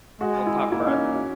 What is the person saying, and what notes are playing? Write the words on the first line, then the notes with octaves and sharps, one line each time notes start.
Or Paparazzi?
G#3 F#4
E4
A#3 E4
D#4
C#4
D#4